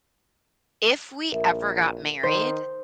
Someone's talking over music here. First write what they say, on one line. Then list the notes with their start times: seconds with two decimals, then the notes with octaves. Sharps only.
if we ever got married"
1.32 A#1 A#4 E5
2.23 D#3 C5